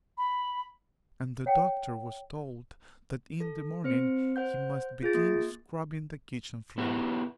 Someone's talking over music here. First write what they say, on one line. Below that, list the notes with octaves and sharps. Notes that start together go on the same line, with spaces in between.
And the Doctor was told that in the morning he must begin scrubbing the kitchen-floor.
B5
C#5 F#5 G5
A4
C4 C5 C#7
C5 F#5 G6
F4 G#4 A6
A#3
B3 E4 F#4 G4